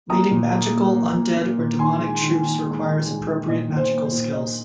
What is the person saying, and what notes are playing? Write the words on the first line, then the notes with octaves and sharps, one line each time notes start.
Leading magical, undead, or demonic troops requires appropriate magical skills.
A#3 A#5 D#6
A#2
A#3
A#3
A#3
A#3
A#3
A#2
D#3 G#5 C6
G#3
D#3
D#3
G#3
D#3
G#3
D#3
A#2 D#5
A#2
C5
A#3
C5
A#2
A#3 D#5